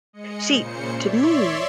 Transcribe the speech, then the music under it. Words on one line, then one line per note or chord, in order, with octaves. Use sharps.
See, to me,
G#3 D#5 C#7
A#2 C#3 C5 C#7
C#5 D5 E5 C6